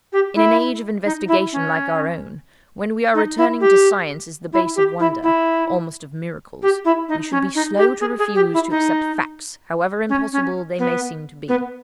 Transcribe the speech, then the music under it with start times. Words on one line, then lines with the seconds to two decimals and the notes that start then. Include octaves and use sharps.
In an age of investigation like our own, when we are returning to science as the base of wonders--almost of miracles--we should be slow to refuse to accept facts, however impossible they may seem to be.
0.13 G4
0.35 E4
1.05 D#4
1.28 E4
1.52 C#4
3.14 D#4
3.38 E4
3.61 G4
4.53 E4
4.76 G4
5.00 E4
5.23 E4
6.62 G4
6.85 E4
7.09 D#4
7.31 C#4
7.55 D#4
7.77 G4
8.00 G#4
8.19 G#4
8.35 G4
8.54 E4
8.70 D#4
10.09 C#4
10.33 C#4
10.79 B3
11.48 B3